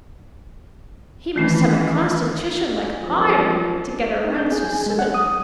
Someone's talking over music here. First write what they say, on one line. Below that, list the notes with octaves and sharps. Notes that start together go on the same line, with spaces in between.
"He must have a constitution like iron to get around so soon."
D#3 E3 A3 C#4
C2 F#2 E3 F3
D#4
G6
G#4
G#5
G#3
F#5
D#6
D#6